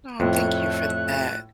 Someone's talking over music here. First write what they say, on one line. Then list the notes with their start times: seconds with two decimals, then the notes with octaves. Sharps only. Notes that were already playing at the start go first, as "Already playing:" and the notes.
Oh, thank you for that,
0.20 F2 A2 F3 A3 C#5 F#6